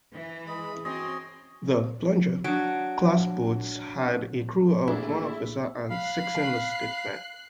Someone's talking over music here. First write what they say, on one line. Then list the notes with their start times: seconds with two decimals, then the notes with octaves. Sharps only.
The "Plunger"-class boats had a crew of one officer and six enlisted men.
0.13 E3
0.47 G#3 G#4 B5
0.85 C4 C#4 F#4 C#5 D#5 C6
2.44 F#3 D4 D7
4.88 A1 A#3 D4 E4 G#4
5.90 F5 B5 F#6 C7